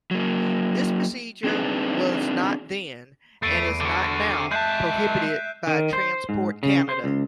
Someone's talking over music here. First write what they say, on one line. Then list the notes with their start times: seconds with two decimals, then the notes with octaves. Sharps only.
This procedure was not then, and is not now, prohibited by Transport Canada.
0.11 F#3 A#3
1.44 C4 D4 D#4 G#4 B4
3.43 E2 A3 C7 D7 D#7
3.81 D3 F#4
4.52 G#3 E5 A5 F#6 G6
5.67 D#3
5.93 C5
6.29 G#2
6.63 C#3
6.89 C5
7.04 C#2